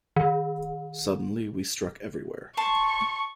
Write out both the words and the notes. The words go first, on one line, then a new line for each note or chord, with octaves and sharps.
Suddenly we struck everywhere.
D#3
A5 C6 C#6